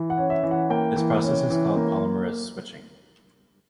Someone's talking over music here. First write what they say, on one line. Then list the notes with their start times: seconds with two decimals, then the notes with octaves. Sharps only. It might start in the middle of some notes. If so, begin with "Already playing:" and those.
This process is called polymerase switching.
Already playing: E3
0.10 F#5
0.18 C#4
0.30 E5
0.43 E3
0.51 F#5
0.70 A#3 G5
0.96 E3
1.23 C#4
1.50 E3
1.76 A#3